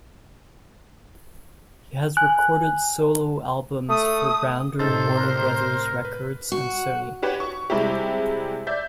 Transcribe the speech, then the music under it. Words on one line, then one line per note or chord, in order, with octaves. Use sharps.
He has recorded solo albums for Rounder, Warner Brothers Records, and Sony.
G#5 F#6
A3 D#6
A2 C3 D#4 A4 C5 A6
A#4 A#5 F#6
B4
F#4
F#4 G4 B4 C#5 F#5
C#6
C3 G3 G#3 E4 G4
D5 E5 G6